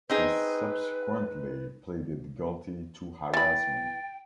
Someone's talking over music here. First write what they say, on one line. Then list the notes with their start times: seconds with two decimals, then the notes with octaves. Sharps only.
He subsequently pleaded guilty to harassment.
0.10 C4 D#4 G#4 B4
3.34 E3 G5 B5 A6